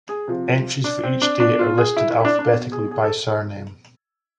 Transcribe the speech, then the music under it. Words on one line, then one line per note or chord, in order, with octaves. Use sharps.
Entries for each day are listed alphabetically by surname.
G#4
C3 F3
D4
C4
D4
B2 D4
F4
G#4
E4
E4
E4
D4
D4
B2
G#4
G#4
A4